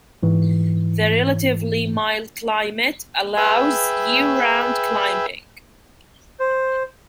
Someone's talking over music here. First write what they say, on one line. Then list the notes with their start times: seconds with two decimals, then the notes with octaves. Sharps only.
The relatively mild climate allows year-round climbing.
0.23 G#2 E3
3.37 G#4 B4 E5 G5
6.40 C5